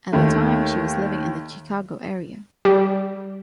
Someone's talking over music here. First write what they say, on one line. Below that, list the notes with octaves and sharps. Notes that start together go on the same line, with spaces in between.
At the time, she was living in the Chicago area.
D#2 D#3 A3
G3